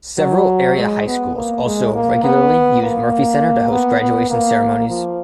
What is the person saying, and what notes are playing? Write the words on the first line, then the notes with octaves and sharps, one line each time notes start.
Several area high schools also regularly use Murphy Center to host graduation ceremonies.
F#3
G#3
B3
A#3
G#3
A#3
B3
A#3
B3
B3
A#3
F3